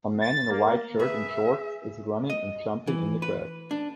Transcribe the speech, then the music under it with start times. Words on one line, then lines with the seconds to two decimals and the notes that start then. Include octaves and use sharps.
A man in a white shirt and shorts is running and jumping in the grass.
0.21 A6
0.51 A#3
1.00 G#4 B4 E5
2.30 D#5
2.87 E3
3.22 B4
3.71 D4